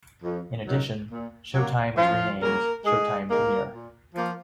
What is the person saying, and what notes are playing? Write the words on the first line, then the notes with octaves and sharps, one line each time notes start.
In addition, Showtime was renamed showtime premiere.
F2
D#3 F#3
A#2
F#3 A#3
F#2 F3 F4
C#3 F#3 A#3 A#4
G#2 G#3 G#4
D#3 G#3 A#3 A#4
A#2
F3 A#3